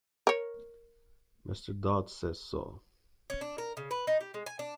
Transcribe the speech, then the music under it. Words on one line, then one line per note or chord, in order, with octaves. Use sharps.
Mr. Dodd says so.
A#4 C#5
C#4
D4
A#4
C#3
B4
D#4
G4
G#3
G#5
D4